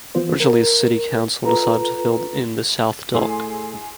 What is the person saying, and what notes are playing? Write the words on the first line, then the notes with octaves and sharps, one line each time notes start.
Originally the city council decided to fill in the South Dock.
E3 B3 F4 C5
A#4
F4 A4 B4 A#5
A2 E4 G#4 C6